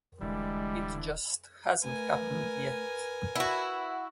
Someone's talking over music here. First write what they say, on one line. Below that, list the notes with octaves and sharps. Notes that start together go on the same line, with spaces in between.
It just hasn't happened yet.
D#1 D3 E3 G3 G#3
A3 A#4 B4 G#5
E4 F#4 F#5